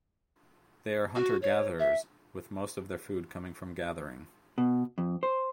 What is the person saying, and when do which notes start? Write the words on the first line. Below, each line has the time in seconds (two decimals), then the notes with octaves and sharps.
They are hunter-gatherers, with most of their food coming from gathering.
1.15 F#4
1.42 C#5
1.79 E5
4.58 B2
4.98 F2
5.23 C5